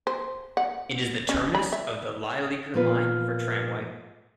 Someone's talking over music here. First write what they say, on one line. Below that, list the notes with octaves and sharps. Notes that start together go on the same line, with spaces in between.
It is the terminus of the Lilleaker Line for tramway.
C5
F#5
C#4
B5
E5
A#2 F3 A#3 B3 F4 B4